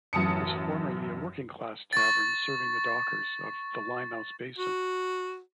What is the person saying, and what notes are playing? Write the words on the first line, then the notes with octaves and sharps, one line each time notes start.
It was formerly a working-class tavern serving the dockers of the Limehouse Basin.
A1 F#2 A5 D#6 C#7
C#6 A6
F#4